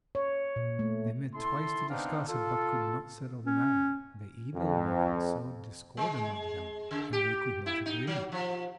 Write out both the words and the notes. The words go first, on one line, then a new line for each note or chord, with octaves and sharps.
They met twice to discuss it, but could not settle the matter; the Evil One sowed discord among them, and they could not agree.
C#5
A#2
A3
E4 A4 C6
B3 C4 D4 D#4 F5
F4 A4
C#4
F2
G#3
C#3
G4
E4
D#4
F#3
F3